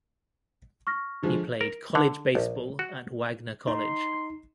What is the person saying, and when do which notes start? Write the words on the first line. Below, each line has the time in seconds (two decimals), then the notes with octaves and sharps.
He played college baseball at Wagner College.
0.87 C#6 F6 A#6
1.23 D3 F3 G#3
1.61 A#4
1.95 D3
2.35 A#1
2.79 F#4
3.67 D#4 C6